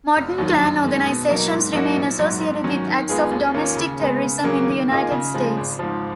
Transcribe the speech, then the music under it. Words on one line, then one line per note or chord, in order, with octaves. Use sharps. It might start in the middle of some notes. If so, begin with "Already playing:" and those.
Modern Klan organizations remain associated with acts of domestic terrorism in the United States.
F1
D#2 D#3 F#3
F#2
D#3 G#3
B2
F#3 A#3 D#4 A#4
G#2
F#3 A#3 D#4 F#4
A#1
G#2 F#3
G#2
D#3 F#3 C#4
D#3
G#3 B3 F4 G#4
D#2
D#3 A#3 C#4 F4
C#3
G#3 B3
C#3
F#3 A#3 C#4 G#4
D#3
A#3 F4 G#4 D#5
C#3
F3 G#3
G#1
G#2 F3